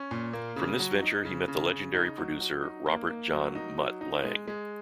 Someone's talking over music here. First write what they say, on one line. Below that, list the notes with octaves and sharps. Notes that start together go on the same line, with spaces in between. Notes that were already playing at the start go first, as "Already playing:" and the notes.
From this venture he met the legendary producer Robert John "Mutt" Lange.
Already playing: C#4
A#2
A#3
C#3
F#3
D#4
C#3
C#3
C#3
D#4
F#3
F#3
D#4
A#3
A#3
F#3
D#4
F#3
D#4
G#3
G#3